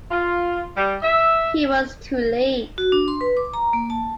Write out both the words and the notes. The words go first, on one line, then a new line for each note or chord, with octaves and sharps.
He was too late.
F4
G3
E5
F#4
D4
C6
B4
D6
A#5
A#3
A5